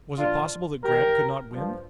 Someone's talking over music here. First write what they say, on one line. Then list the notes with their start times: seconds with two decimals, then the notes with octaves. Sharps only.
Was it possible that Grant could not win?
0.16 A#2 F3 D4 F4
0.83 G#2 D#3 G4 A#4
1.50 G2 F3